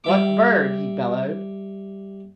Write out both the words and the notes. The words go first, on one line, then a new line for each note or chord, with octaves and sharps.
"What bird?" he bellowed.
G3 E5 D6